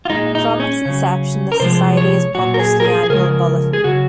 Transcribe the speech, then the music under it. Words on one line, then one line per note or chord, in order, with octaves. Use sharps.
From its inception, the Society has published the annual Bulletin.
F4
A#2 G#3 D#4
D#4
C#4
C#3 F#3
A#4
C3 F3 G#3 C5
C#5
A#2 F#3 F#4
A#4
G#4
A#4
G#4
G#4
C#3 F3 G#3 A#4
G#4
C#3 F#3 F#4